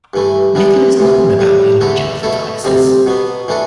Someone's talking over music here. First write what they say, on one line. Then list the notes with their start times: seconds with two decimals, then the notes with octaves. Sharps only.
Little is known about the origin of the diocese.
0.14 G2 E3 A3
0.55 E3 G3 B3 D4
0.97 D2 C3 E3
1.39 A2 G3 D4
1.81 E2 D3 A3 E4 A4
2.23 B2 A3 E4 A4
2.64 D2 C3 G3 C4
3.06 B2 F#3 B3
3.48 E3 A3 D4 A4